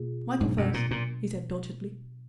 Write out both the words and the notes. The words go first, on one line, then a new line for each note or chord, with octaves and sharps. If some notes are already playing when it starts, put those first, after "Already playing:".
"Michael first," he said doggedly.
Already playing: B2 A#3 F4 G#4
G#2 B2 F#3 B3 D4
F#2
A#2
A#2